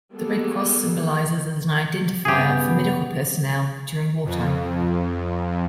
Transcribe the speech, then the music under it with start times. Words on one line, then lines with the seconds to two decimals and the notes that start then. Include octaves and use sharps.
The red cross symbolizes as an identifier for medical personnel during wartime.
0.12 G3 G#3 A#3 B3 A4
2.25 G2 C#3 B3 G4 G#4
4.26 F2